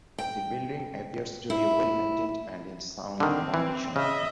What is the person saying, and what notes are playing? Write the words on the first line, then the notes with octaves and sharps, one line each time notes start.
The building appears to be well maintained and in sound condition.
G5
E4
D3 D#3 C4
E3
C#3 D#5 E5